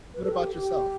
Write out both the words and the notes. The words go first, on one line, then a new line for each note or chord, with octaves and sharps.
what about yourself?
B4
A4
G4
G4